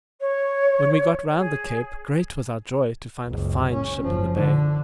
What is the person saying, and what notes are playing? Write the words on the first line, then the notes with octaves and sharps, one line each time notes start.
When we got round the cape, great was our joy to find a fine ship in the bay.
C#5
G#4
F#1 C#2
C#4
F#1 F3
D3